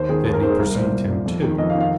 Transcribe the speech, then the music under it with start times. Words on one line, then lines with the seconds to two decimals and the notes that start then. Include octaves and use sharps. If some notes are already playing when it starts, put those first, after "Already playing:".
Sydney perceived him too.
Already playing: D#2 C5
0.09 D#3 G#4
0.25 D#2
0.34 A#4
0.42 D#3 C5
0.50 G#4
0.59 C2 A#4
0.75 A#2 C5
0.92 C2
1.08 A#2
1.26 F2
1.42 D#3
1.58 F2 D#5
1.70 F5
1.75 D#3
1.80 F5